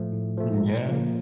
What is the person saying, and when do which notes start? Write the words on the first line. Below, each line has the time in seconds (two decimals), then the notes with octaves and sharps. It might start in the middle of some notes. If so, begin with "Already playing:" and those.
Mm, yeah.
Already playing: A2 F3 A3
0.13 A2
0.38 F3 A3
0.64 A#2
0.89 F3 A#3